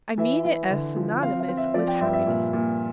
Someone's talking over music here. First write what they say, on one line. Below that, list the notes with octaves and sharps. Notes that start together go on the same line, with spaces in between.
I mean it as synonymous with happiness.
E3 E5
E3
D3
F3
C4 F5
F5
C4
E5
F3 D5
G5
G2 E5
E5
A#2
A#2